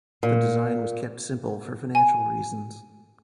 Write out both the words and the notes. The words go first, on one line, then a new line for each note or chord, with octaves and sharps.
The design was kept simple for financial reasons.
A#2
G#5